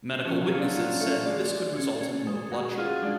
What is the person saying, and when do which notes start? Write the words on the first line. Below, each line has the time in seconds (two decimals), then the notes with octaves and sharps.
Medical witnesses said this could result in low blood sugar.
0.25 F3 C#4
0.41 F#3
0.50 C#4 F4
0.58 D4
0.76 C#4 F4
1.00 A3 C#4
1.25 G#3 D5
1.51 D5
1.77 C#4
2.01 C#4
2.27 G#3
2.52 G#3 F#4
2.78 F4 G#4
3.03 G#3 D4